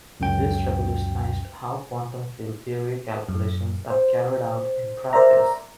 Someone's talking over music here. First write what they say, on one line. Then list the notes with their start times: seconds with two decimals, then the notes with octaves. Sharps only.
This revolutionized how quantum field theory calculations are carried-out in practice.
0.20 C#2 F#2 G5
3.29 F#2
3.90 C5
5.13 A#4 C5 D5 E5 A#5